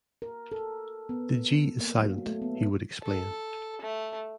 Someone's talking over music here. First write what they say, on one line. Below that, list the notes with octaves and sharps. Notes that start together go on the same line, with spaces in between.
The "G" is silent, he would explain.
A#4
A4
B3
A#3
F#3
A3
B3
A4
A3